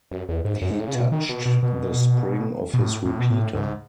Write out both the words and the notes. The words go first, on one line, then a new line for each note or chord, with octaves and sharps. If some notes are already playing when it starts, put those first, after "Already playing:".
He touched the spring of his repeater.
F#2
E2
G#2
F#2
G#2
A2
C#3
B2
D#3
B2
B2
B2
B2
A2
A2
B2
A2
G#2